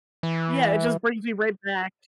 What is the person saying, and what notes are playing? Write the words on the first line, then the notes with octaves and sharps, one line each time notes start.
yeah, it just brings me right back
E3